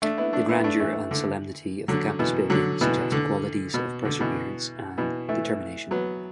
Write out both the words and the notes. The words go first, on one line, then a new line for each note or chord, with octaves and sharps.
The grandeur and solemnity of the campus building suggest qualities of perseverance and determination.
A3 D4
B3 E4
A3 D4
B3 E4
A3 D4
E3 A3
D3
D3 F#3
B2 E3
D3 F#3
B2 E3
D3
B2
D3
B2 E3
B2 E3
E3 A3
F#3 B3